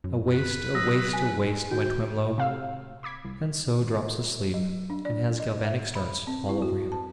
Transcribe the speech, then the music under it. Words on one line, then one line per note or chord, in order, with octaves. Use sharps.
A waste, a waste, a waste, my Twemlow!' And so drops asleep, and has galvanic starts all over him.
F#2
B4
F#3 D#6 E6 A#6
G#5
D#3 F#4 G5
C3 F5 E6
B5 D6 G#6 B6
C2
F#3
D4
D5
D#5
E5
B5
C4
E4
F#4
A5